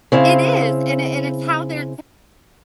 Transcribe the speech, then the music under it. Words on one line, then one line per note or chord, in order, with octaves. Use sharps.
It is, and it and it's how they're
C#3 C4 E4 F5